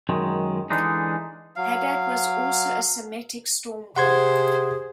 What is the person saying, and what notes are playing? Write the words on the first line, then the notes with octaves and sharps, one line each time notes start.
Hadad was also a Semitic storm-god.
F#2 D#3 G#3
D3 E3 G#3 D4 D#4
F#3 F5
C3 G#4 C5 F#5 C6 G#6